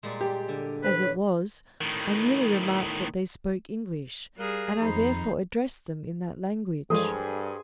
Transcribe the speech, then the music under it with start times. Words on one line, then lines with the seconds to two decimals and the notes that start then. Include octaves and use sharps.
As it was, I merely remarked that they spoke English, and I therefore addressed them in that language.
0.03 A#2 G3 G#3
0.21 G4
0.48 D3
0.84 B4 C5
1.01 C#5
1.81 A2 D#3
4.37 G3 G#4 A#4 F5 F#6
4.81 F2 D#3 D#4 C5 B5
6.90 G2 E3 F3 G#3 G#4 A4 C5 G#5